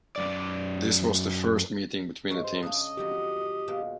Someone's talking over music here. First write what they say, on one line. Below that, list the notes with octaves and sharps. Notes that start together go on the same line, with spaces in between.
This was the first meeting between the teams.
F#2 D5
G2 G#3 C#5
C5
C#3 D4 C#5 D#5
F2 D#3 F#3 G4
B2 G#3 A#3